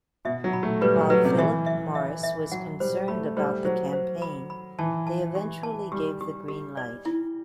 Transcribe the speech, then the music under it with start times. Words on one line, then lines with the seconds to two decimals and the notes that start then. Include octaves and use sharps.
While Philip Morris was concerned about the campaign, they eventually gave the green light.
0.25 B2 E5
0.44 F#3
0.53 B5
0.63 A3
0.81 G3 B4
0.96 F#3
1.10 F#3 B4
1.24 C3
1.38 E3 E5
1.66 E5
1.95 E5
2.23 E5
2.52 F#3 F#5
2.80 G3 C5
3.08 A3 B5
3.37 G3 C5
3.65 F#3 C5
3.93 C5
4.22 B5
4.50 B5
4.79 E3 A5
5.07 A5
5.35 G4
5.63 A5
5.92 G3 G4
6.21 G4
6.48 G4
6.77 D5
7.06 E4